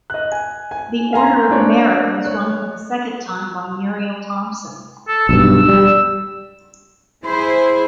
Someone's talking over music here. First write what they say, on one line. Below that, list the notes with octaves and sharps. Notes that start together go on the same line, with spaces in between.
The Order of Merit was won for the second time by Muriel Thomson.
D#5 F#6
G#5
G#5
F5 G#5 A#5 C6
A#3 C4 D4 C#5
C#5 F#6
A4
B1 G2 E6
G3
E4 G#4 C5 B5